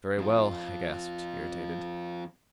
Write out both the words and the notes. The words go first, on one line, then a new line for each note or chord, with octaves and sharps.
"Very well," I gasped, irritated.
F2 F4